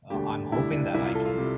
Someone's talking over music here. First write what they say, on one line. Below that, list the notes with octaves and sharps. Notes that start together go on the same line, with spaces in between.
uh, I'm hoping that I can
E1 D2 D3 G3 G4
E1 D2 D3 G3 E4
D4
C2 C3 G3 E4
F4
A4
F4
C3 G3